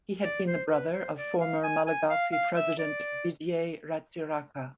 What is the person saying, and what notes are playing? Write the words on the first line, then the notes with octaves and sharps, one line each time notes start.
He had been the brother of former Malagasy President Didier Ratsiraka.
D5
C5
B4
C5
D5
F5
G#5
G#5
F5
F5
E5
D5